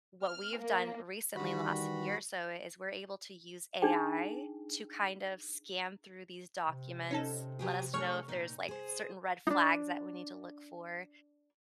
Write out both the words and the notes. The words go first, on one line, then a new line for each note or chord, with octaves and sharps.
what we've done recently in the last year or so is we're able to use AI to kind of scan through these documents, let us know if there's, like, certain red flags that we need to look for
F6
A#3
D#3 E3 G3 F#4 B5
D4 D#4 G#4 G5
C3
C#4 D#4 A4
F#3 G4 G#4
A3 D4 G#4 C#5 C#6 F6
A#2 D#4
G#4 C5
D4 D#4